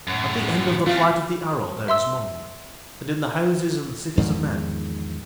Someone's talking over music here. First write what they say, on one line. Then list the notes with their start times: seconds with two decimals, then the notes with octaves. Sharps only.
At the end of the flight of the arrow there is Mung, and in the houses and the cities of Men.
0.08 F#2 A2
0.87 A3 C4 F4
1.88 E5 C6 E6
4.17 E2 G#2 D#3 F3